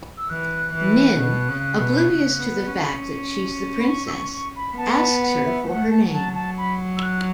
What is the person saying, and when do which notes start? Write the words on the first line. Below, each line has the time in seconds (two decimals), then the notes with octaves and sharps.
Nin, oblivious to the fact that she's the princess, asks her for her name.
0.18 E6
0.29 E3 F#6
0.74 E3
1.19 B2
1.49 C#3
1.79 B2
2.09 C#3
2.39 B3
2.68 C#4
3.80 B5
3.88 C#6
4.07 E6
4.11 C#6
4.33 C#6
4.56 B5
4.77 B3 A5
4.92 B5
5.00 A5
5.22 F#5
5.45 E5
5.68 A3 F#5
5.91 A5
6.13 F#3 A5
6.35 A5
6.58 B5
6.97 E6
7.03 F#6